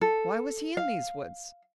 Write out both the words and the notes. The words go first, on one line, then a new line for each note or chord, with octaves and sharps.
Why was he in these woods?
A4
F5